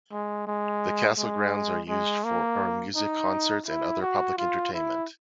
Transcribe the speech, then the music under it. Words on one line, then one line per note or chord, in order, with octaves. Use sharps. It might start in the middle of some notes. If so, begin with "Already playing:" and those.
The castle grounds are used for music concerts and other public entertainment.
G#3
G#3
G#3
G#3
A#3
D#4
E4
F#4
F4
E4